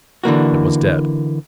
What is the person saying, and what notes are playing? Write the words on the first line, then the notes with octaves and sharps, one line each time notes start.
It was dead.
D3 E3 A#3 F#4